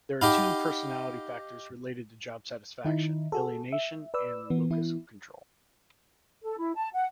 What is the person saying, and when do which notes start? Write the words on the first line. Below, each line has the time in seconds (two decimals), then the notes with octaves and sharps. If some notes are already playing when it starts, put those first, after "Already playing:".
There are two personality factors related to job satisfaction, alienation and locus of control.
0.21 D#4 G4 D#5 F5 F#5 B5
2.85 D#3 D#4 E4
3.32 F#4 G#4 A4
3.73 E5
4.14 B4 D5 E6
4.50 E3 B3
4.70 E3 B3 E4
6.43 A4
6.57 E4
6.75 A5
6.93 F#5